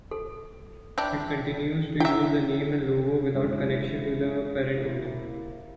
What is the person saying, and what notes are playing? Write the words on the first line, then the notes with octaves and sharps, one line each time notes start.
It continues to use the name and logo without connection to the parent company.
A4
D4 E4 G4
E4 E5 F#5 G5
F#2 G#3 D4 E4
A#3 E4